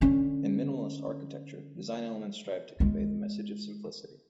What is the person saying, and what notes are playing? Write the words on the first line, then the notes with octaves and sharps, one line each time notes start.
In minimalist architecture, design elements strive to convey the message of simplicity.
D3 C#4
G#3 F4